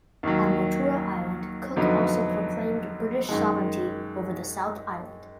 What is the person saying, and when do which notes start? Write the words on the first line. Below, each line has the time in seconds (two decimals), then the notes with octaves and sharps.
On Motuara Island, Cook also proclaimed British sovereignty over the South Island.
0.23 D#2 D#3 F#3
1.76 F2 D3 F#3 B3 D#4
3.29 F#2 D#3 G#3